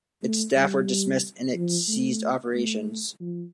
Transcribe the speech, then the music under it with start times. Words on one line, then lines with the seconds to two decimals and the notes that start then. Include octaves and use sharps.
Its staff were dismissed and it ceased operations.
0.23 A3
0.56 G3
1.55 F3
1.88 A3
2.54 A3
3.20 F3